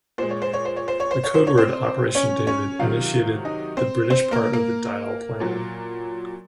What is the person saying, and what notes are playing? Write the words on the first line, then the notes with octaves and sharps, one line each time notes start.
The codeword "Operation David" initiated the British part of the Dyle Plan.
A#2 G#3 C5
C#5
C5
C#5
C5
C#5
C5
C#5
C5
C#5
C5
C#5
C4 C5
C#4 C#5
C#4 C#5
C3 D#3 F#3 F4 F5
D#4 D#5
C4 C5
C4 C5
A#3 A#4
A#3 A#4
A#2 F#3